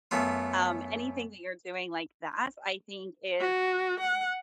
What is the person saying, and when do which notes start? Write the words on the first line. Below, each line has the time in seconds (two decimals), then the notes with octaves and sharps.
um, anything that you're doing like that, I think is
0.11 F#2 A3 B3 F4
3.40 F#4
4.00 F#5